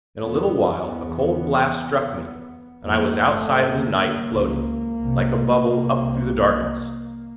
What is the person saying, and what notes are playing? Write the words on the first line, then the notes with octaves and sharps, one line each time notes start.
In a little while, a cold blast struck me, and I was outside in the night, floating, like a bubble, up through the darkness.
E2 B3
B3
F2 A#3
G#1 G#2 A3
D2 D3 A#3
D2 D3
C#2 C#3
C2 C3
C2 C3